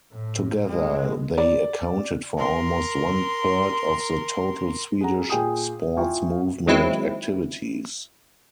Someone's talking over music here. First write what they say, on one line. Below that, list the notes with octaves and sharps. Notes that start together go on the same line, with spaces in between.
Together, they accounted for almost one third of the total Swedish sports movement activities.
A2
G#3
D5
A#4 C6
G#4 F#5 A#5
A#2 G#4 G5 G#5 D#6
E4 F4 G5 G#5 C#6
D#3 F#3 G#3 C4 E4